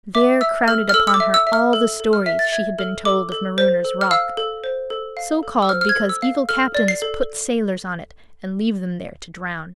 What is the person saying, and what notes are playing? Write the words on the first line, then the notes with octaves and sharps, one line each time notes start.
There crowded upon her all the stories she had been told of Marooners' Rock, so called because evil captains put sailors on it and leave them there to drown.
E5 D6
E5 E6
A4 F6
F6
A4 E6
E6
D6
E5
E6
E5
F6
A4
A4
F6
E5 B6
A6
E5 G#6
A4 F6
A4 D6
A4
C5
A4
F6
F5 E6
A4
C5
A4
F5
A4
E6
C5 F6
F6
G#6
A4
E6
F5
A4 F6
D5
C7
A4